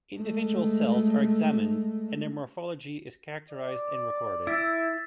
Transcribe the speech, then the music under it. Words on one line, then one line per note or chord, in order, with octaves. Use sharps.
Individual cells are examined and their morphology is characterized and recorded.
G#3 A3
D5
E4 E6 A6 B6